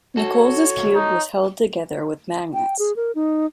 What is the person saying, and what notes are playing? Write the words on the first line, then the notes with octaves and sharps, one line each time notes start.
Nichols's cube was held together with magnets.
F#4 A4 C#5
D#4
G5
G#4
A#4
D#4